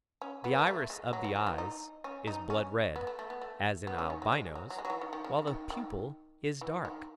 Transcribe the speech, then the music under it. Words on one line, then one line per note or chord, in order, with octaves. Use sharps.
The iris of the eyes is blood red, as in Albinos, while the pupil is dark.
C#4
B3
G#3
A3
G#3
F#3
E3
F#3
E3
D#4
C#4
D#4
C#4
B3
A3
A3
B3
A3
B3
C#4
D#3
F#3
G#3
F#3
F#3
G#3
F#3
E3
D#3
D#3
C#3
C#3
D#3
D#3
E3
D#3